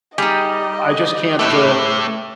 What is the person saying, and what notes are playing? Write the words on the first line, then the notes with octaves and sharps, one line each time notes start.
I just can't, uh,
G3 D#4 G#4 D#5
A2 A3 G4 B4 E5